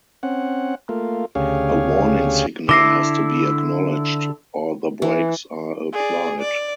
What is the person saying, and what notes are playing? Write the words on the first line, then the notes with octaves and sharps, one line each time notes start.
A warning signal has to be acknowledged or the brakes are applied.
C4 C#4 F#5
A3 A#3 F4
D2 C#3 G4 G#4 C#5 F5
D3 E4 E5 D6 A#6 C7
E3
G#4 D5
D5